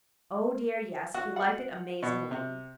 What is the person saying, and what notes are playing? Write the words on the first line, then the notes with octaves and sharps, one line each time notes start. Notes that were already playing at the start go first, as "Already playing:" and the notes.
Oh, dear, yes, he liked it amazingly!
F#4
F#5
B2
C3